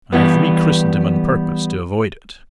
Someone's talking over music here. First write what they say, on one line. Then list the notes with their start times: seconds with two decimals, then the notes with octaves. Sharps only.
I have re-christened him on purpose to avoid it.
0.13 E3 G3 B3